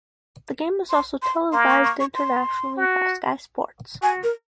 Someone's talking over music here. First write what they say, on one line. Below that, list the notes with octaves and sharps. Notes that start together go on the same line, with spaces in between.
The game was also televised internationally by Sky Sports.
C6
C6
A#3 C6
C#6
C#6
C#6
C6
F#4
F#4 G#5
A#4